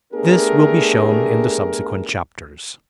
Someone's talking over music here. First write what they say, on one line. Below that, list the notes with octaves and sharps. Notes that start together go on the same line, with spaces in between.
This will be shown in the subsequent chapters.
A3 B3 D4 G4 G#4 A#4